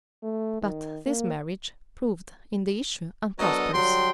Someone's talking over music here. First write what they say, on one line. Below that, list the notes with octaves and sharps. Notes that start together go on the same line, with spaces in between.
But this marriage proved in the issue unprosperous.
A3
D#3
A#3
F#3 B3 D4 A4 A#4 D#5
D3 F#3 G3 G5 C6